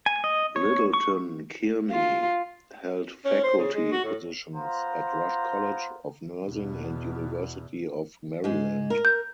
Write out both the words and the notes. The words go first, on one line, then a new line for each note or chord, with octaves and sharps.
Littleton Kearney held faculty positions at Rush College of Nursing and University of Maryland.
G#5
D#5
C#5
C#6
F4
C#4
C5
C#3
G#3
F#4
A2
B3 F4 C5 A#5
E2 B2
G#2 G#3
A#4
G6